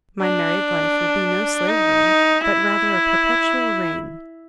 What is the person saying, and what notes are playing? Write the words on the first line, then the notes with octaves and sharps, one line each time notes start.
My married life will be no slavery, but rather a perpetual reign.
D4
D#4
E4